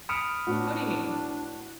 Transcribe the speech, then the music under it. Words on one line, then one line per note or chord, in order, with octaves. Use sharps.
How do you mean?
B5 D#6 F6 C#7 D7 E7
A2 B3 D4 F#4